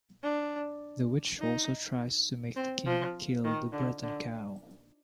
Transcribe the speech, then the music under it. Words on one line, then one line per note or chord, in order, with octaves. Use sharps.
The witch also tries to make the king kill the Breton cow.
D4
D#4
C4
F3
D#3
D3
D3